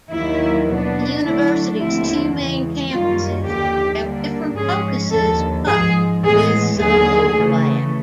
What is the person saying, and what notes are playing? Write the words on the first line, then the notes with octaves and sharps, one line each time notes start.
The university's two main campuses have different focuses but with some overlap.
D#2 D#3 F#3 A#3 E4
B2 F#3 B3 D4
D3 F#3 A3 D4 E4
D#2 D3 F3 A3 C4 E4
E2 C#3 E3 G#3
F#2 D#3 G3 A#3 C#4 F4
D#2 D3 F3 G4
D3 G3 A#3 D4
G#2 F3 G#3 C#4 G#4
D#2 D3 F3 A4
G#2 F3 G#3 G#4
A2 E3 G#3 B3 G#4
D#2 D3 F#3 G#4
C#3 E3 A3